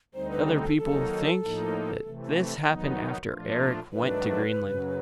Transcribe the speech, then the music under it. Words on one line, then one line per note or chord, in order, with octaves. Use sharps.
Other people think that this happened after Eric went to Greenland.
D2 D3 G3 C4 D#4 C5
B4
A4
A4
D#3 F#3 A#3 D#4 A4
A2 F3 A#3 D#4
C3 E3 A3
D#3 F#3 B3 D#4
A#2 F3 A3 D4 F4
G#2 D#3 F#3 A3 D4 B4
F#2 C#3 F#3